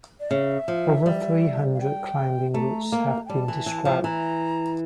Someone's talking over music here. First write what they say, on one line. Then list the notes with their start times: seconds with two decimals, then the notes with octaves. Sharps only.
Over three hundred climbing routes have been described.
0.20 D5
0.30 C#3 E5
0.68 F3
1.06 G3
1.75 F5
1.81 G5
2.54 A3 A#5
2.92 A#3
3.25 G5
3.29 G3 A5
3.48 E3
3.66 E3
3.85 F3
4.04 E3 A#5